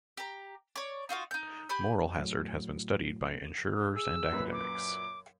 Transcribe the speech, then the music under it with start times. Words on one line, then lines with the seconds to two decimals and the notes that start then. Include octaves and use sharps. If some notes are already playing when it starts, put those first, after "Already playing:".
Moral hazard has been studied by insurers and academics.
0.17 G4 A#5
0.76 C#5 D5 D6
1.09 D#4 F4 F#4 F5
1.31 D#4 G6
1.69 G4 G#5 B5 G6
2.18 A2 F#3
3.96 G#4 E6
4.33 F#2 A#2 B4
4.52 D6